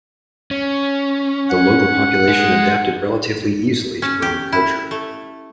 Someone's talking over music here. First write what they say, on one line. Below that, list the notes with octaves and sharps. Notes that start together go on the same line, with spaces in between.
The local population adapted relatively easily to Roman culture.
C#4
F#5
G#3
C#4
G4
E4
A3